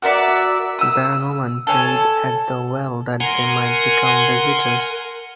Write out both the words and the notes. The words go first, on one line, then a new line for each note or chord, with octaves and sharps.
Barren women prayed at the well that they might become visitors.
F#4 A#4 D5 E5
D#6 E6
A4 C#5 G#5
A#4 F#5 G#5 C6